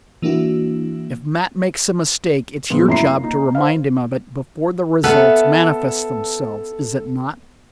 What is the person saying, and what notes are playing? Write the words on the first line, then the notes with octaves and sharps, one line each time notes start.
If Matt makes a mistake, it's your job to remind him of it before the results manifest themselves, is it not?
E3 A#3 D4 E4 F#4
A#2 F3 G#3 B3
F#2 E4 A#5 C6 C7
A#3
D#4
C5 F5
B3 C#4 A4 B4 E5 F5 A5